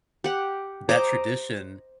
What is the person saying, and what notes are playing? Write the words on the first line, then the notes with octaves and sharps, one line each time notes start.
that tradition
G4 F#5
C5 D#5 A#5 D6